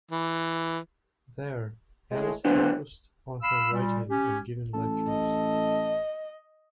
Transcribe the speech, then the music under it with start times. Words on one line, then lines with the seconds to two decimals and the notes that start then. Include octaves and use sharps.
There, Alice focused on her writing and giving lectures.
0.11 E3
2.11 A2 G#3
2.45 D3 F#3 B3 C4 D4
3.43 F5 B5 E6
3.72 A#2 G3
4.09 C#4 G4
4.74 A1 A4
5.08 D#5